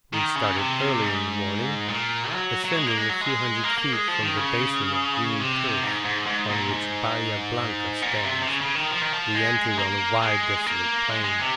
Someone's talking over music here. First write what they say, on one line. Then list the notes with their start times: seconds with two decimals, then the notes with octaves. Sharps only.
We started early in the morning; ascending a few hundred feet from the basin of green turf on which Bahia Blanca stands, we entered on a wide desolate plain.
0.13 D#3
0.35 C#3
0.56 C3
1.01 G#2
1.88 A#2
2.32 F#3
2.65 F#3
2.76 G#3
2.87 A#3
2.98 G#3
3.09 F#3
3.21 G#3
3.64 A#3
3.78 A#3
3.93 G#3
4.08 F3
4.22 D#3
4.37 C#3
5.40 C3
5.83 G#2
6.05 G#2
6.27 G#2
6.49 A#2
6.71 G#2
8.02 A#2
8.25 C3
8.42 C3
8.47 C#3
8.62 C#3
8.75 D#3
8.91 F3
9.02 D#3
9.13 F3
9.35 G#3
9.79 A#3
10.22 G#3
10.66 A#3
11.10 G#3
11.24 G#3
11.39 C3